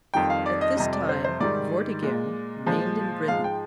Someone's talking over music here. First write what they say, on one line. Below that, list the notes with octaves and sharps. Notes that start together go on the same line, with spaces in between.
At this time Vortigern reigned in Britain.
F2 D#3 G3 G5
F5
D5
D#5
F2 C3 G3 D#5
D5
C5
C5
G#2 D#3 G3 D5
A#2 G#3
A#2 F3 G#3
G#2 F3 G#3 F5
G5